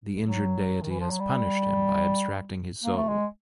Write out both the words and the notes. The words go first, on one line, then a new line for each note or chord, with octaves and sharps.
The injured deity has punished him by abstracting his soul.
F#3
D#3
E3
F3
F#3
G3
A#3
A3
G#3